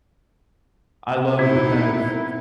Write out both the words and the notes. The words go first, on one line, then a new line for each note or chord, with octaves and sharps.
I love the kind of
B3 C4 D#4 E4